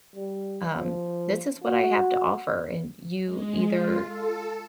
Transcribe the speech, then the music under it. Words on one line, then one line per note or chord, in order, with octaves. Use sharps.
um, "This is what I have to offer, and you either,
G3
F3
F#4
G#3
F4
A4